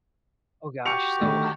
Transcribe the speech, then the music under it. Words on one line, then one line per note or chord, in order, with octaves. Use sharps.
Oh gosh, so,
F#4 G4 C#7 F7
D3 D#3 A3